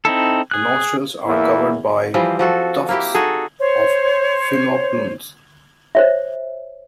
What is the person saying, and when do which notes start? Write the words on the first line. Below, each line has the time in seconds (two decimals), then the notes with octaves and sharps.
The nostrils are covered by tufts of filoplumes.
0.05 C4 D#4 E4 A4
0.51 G#4 F#6
1.27 E2 A#3 E4
2.14 E3 F3 G3 C4
2.39 F3 F#4 A4
2.89 A#3 E4 G4
3.14 D#4 F#4 G#4 A4
3.59 C5 C#5
5.95 C5 C#5 E5